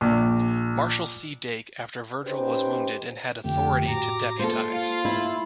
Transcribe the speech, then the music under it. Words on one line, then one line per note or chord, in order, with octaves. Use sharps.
Marshal C. Dake, after Virgil was wounded, and had authority to deputize.
A#1
C#4 D#4 G4 B4 C5
F2 D3 A3 G4
A2 F#4 A#5 D6
G#3 A#3 F4 A4 C5
F4 F5
E4